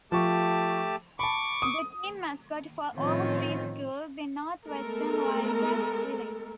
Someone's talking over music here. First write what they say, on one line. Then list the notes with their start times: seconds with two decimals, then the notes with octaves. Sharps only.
The team mascot for all three schools is the Northwestern Wildcat, Willie.
0.12 F3 A3 G4 A5 C#6
1.19 A5 B5 C#6 D6
1.62 D#6
2.95 A2 D#3 F3 C4 C#4 F4
4.65 G#3 A3 B3 A4 A#4